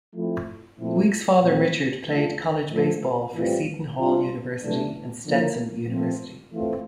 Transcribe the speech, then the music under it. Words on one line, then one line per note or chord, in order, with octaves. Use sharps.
Week's father Richard played college baseball for Seton Hall University and Stetson University.
F3 A3 C4 E4
A#2 F3 A3 C4 E4
A#2 A3 C4
E3 A3 D4 F4
A2 F3 A3
A2 E3 G3 C4 F4
C3 G3 D4 F4
C3 E3 A3 D4
D3 F3 A#3 E4
A#2 F3 A3 C4
E3 A3 C4 F4